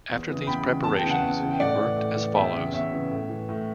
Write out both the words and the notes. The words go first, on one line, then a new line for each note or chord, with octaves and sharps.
After these preparations he worked as follows.
E2
C#3 E3
E2 G5 B5
C#3 E3
E2 A5
G5
C#3 E3
F#5 A5
E2
C#3 E3
G5
A2 D5 F#5
E3
A2
E3
E2 E5 G5
C#3 E3
E2 C#5 E5
C#3 E3
A2
E3
A2